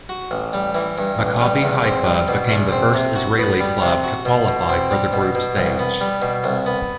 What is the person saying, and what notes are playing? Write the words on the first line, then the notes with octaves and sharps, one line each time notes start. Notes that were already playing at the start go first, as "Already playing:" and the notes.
Maccabi Haifa became the first Israeli club to qualify for the group stage.
F#4
A1
G3
E3
G2
A1
G3
E2
C4
G3
B2
E2
C4
C3
F#4
B3
G3
C3
F#4
B2
B2
C4
G3
B2
B2
C2
B3
G3
B2
C2
B3